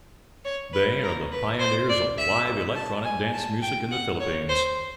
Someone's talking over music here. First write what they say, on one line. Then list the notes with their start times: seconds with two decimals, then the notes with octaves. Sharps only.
They are the pioneers of live electronic dance music in the Philippines.
0.45 C#5
0.73 B4
1.03 A#4
1.32 B4
1.59 C5
1.89 D5
2.18 E5
2.76 A5
3.04 G#5
3.34 A5
3.62 G5
3.91 F#5
4.20 C#5
4.49 C5